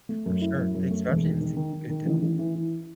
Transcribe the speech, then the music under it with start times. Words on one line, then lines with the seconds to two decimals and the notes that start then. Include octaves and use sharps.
for sure. Especially if it's a good deal.
0.09 A3
0.26 F#2
0.41 E4
0.58 F#2
0.75 F#2
0.90 A3
1.08 E1
1.23 D#3
1.41 D#3
1.57 D#3
1.73 D#3
1.90 D#3
2.06 A1
2.23 A1
2.39 E3
2.55 E3